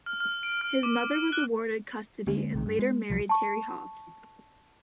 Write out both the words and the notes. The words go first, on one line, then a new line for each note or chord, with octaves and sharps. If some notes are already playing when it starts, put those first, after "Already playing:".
His mother was awarded custody and later married Terry Hobbs.
F6
F6
D7
F6
D6
F6
F#6
D3 G#3 A#3 C#4
B1 C3 D#3
G2
G#3
C2 F3 F#3
A5 C#6